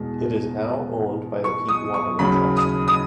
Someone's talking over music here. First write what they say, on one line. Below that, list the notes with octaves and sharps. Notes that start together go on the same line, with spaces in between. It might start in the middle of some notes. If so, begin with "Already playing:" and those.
It is now owned by the Pete Waterman Trust.
Already playing: E2 B2 G#3
C#6
D#6
C#6
D#2 C#3 F#3 B5
D#6
D#6